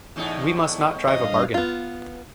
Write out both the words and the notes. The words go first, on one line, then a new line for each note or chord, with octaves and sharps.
We must not drive a bargain.
E2 A2 D#4
G2 D#5 F5
B3 F4